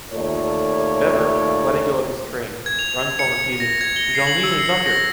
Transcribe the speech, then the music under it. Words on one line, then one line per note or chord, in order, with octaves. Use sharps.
Bebert, letting go of his train, runs while repeating--- Jeanlin is under!
D#2 A3 F4 A4 C#5 D5
G#6
F7
C#7
A#6
G#6
G7
C7
F#7
E6
C7
A#6